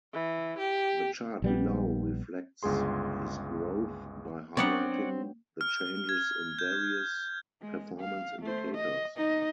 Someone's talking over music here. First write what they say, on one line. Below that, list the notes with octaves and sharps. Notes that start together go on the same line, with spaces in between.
The chart below reflects this growth by highlighting the changes in various performance indicators.
E3
G4
A#1 G3 B3
G1 C#2 G#3 G#4 C6
F#3 B3 C4 D4 C#5 D5 F#5
F6
G#6
G6
G#3
F5
A3 C5
D#5
D#4 D#5